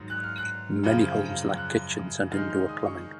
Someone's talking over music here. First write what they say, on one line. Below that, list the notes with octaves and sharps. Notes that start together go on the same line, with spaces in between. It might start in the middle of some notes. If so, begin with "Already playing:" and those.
Many homes lack kitchens and indoor plumbing.
Already playing: G#2 D#3 F#3
F#6
F6
F#6
F#2 C#3 F3
F#6
D#3 G#3 D#4 F6
F6
D#6
C#6